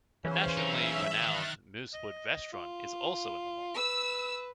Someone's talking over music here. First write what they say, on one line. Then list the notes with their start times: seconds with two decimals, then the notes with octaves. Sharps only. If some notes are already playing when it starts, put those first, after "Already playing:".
The nationally renowned Moosewood Restaurant is also in the mall.
0.25 C#3 E3 C#4 C5
0.57 F#3 D#4 E5
1.23 D#3 F6 F#6 A6
1.93 D#5
2.53 F4
3.76 B4 E6